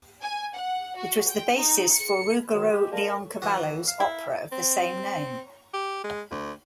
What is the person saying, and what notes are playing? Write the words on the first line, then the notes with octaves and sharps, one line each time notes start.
It was the basis for Ruggero Leoncavallo's opera of the same name.
G#5
F#5
F#4
G5
D#4
C#7
D#3 F#3 E7
G#3 G4
A#4 D5 F5 A5
E3 F#4
F5
E4
C4
G4
G#3
D2